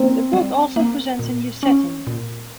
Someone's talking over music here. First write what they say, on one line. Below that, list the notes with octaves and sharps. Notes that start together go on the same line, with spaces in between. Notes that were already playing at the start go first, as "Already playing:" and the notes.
The book also presents a new setting.
Already playing: A#3 C4
G3
A#3
A#2
C#4
A#2